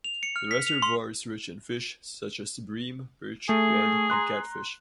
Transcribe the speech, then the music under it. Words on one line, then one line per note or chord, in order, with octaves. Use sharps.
The reservoir is rich in fish such as bream, perch, rudd, and catfish.
F7
C#7
F6
B6
F7
C6
A3 G#4
A#5 C6 F#6